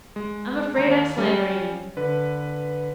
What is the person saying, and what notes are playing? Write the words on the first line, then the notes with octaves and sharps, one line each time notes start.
I'm afraid I'm slandering him.
G#3
D#2 A#5
G3 C#4
D3 B4